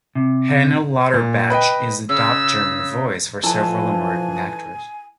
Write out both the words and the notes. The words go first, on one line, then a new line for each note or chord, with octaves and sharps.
Heiner Lauterbach is the dubbed German voice for several American actors.
C3
A#2
B4 D#5 G5
C#3 E6
E3 F3 E4 A4 G#5 A5